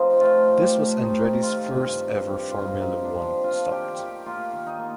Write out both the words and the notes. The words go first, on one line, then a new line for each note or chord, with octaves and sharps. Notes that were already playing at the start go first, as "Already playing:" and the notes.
This was Andretti's first ever Formula One start.
Already playing: F3 C4 D#4
A3 F4
A2
G4
A3
C3 D#4
D#3
F4
C3
G2
G2
G2 G4
F4
C3 D#4
A#3
D4
F3
D4 F4
D#3 G4
D#3 G4
A#3 F4
D#3
D#4
A#3